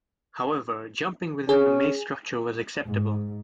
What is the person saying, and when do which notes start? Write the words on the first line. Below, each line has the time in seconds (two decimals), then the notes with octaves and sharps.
However, jumping within the maze structure was acceptable.
1.49 C#4 G#4
2.87 G#2